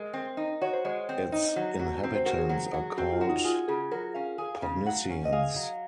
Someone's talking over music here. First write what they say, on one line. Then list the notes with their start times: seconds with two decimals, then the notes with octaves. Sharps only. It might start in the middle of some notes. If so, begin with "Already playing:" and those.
Its inhabitants are called "Pognissiens".
Already playing: G#3 A#4
0.14 C4
0.37 D#4
0.61 F#4 C#5
0.73 C5
0.85 G#3 C#5
1.09 C4
1.32 D#4
1.56 F#3
1.79 F#3 F#4
2.03 C4
2.15 C5
2.26 F#4 A#4
2.38 G#4
2.49 F#3
2.74 F#3
2.97 C4 F#4
3.13 F4
3.21 F#4
3.29 D#4
3.44 F4 G#4
3.68 C#3 G#4
3.91 F#3 A#4
4.14 C#4 F5
4.38 G#4
4.62 C#3
4.86 F#3 F#5
5.10 C#4
5.25 D#5
5.32 G#4 F5
5.56 F#3